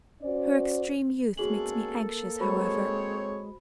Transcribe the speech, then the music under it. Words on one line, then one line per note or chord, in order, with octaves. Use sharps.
Her extreme youth makes me anxious, however.
C#4 F#4 C5 D5
G#3 A#3 B3 C#4 F#4 G#4 A4 F#7
G#3 C4 F#4 C5 C#5 B5